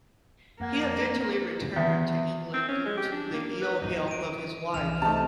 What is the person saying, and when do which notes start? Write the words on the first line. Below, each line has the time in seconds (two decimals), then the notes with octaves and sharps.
He eventually returned to England due to the ill health of his wife.
0.60 F2 A#3 F#5 G#6
0.96 C4
1.76 E2
2.54 C4
2.69 C#4
2.86 G#3
2.97 G4
3.12 D4
3.34 A#3
3.62 B4
3.81 D#4
4.08 C#3 D7 D#7
4.74 C2 E3 F6 E7 F7
5.02 C3 A3 D#4 A5